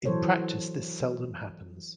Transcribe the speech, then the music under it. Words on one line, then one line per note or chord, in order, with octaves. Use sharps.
In practice, this seldom happens.
E3 F#3 A4 C5 C#5